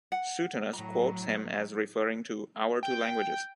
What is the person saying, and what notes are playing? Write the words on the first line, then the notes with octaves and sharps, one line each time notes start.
Suetonius quotes him as referring to "our two languages".
F#5
A2 F#3 A#5
G5